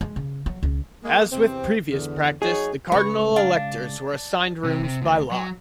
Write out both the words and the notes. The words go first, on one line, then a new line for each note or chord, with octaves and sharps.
As with previous practice, the cardinal electors were assigned rooms by lot.
G#3
C#3
F#3
C#2
G#3 A#3
E2 C3 C4
E2 D3
F#3 D#4 G#4 C#5
C#3 G#3 B4 C#6
D4 F5
C3
C3
D2
F#3